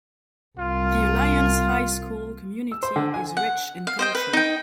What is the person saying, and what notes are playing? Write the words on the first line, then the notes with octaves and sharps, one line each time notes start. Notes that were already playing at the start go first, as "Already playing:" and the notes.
The Alliance High School community is rich in culture.
C2 F4
E6
C5
D3
G#5
F#5
F5
C5 D#5 G5
B4
D#4 G5